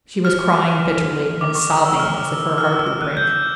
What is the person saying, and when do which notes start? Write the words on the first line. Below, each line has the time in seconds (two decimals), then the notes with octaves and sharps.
She was crying bitterly, and sobbing as if her heart would break.
0.25 F6
1.41 D6
1.55 C#6
1.71 D6
1.85 E6
2.00 F6
2.58 F6
2.73 E6
2.87 F6
3.02 F#6
3.17 G6